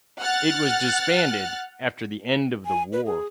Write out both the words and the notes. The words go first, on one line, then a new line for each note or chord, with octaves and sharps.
It was disbanded after the end of the war.
F#5 F6 F#6 A6
G#5
B4
G#4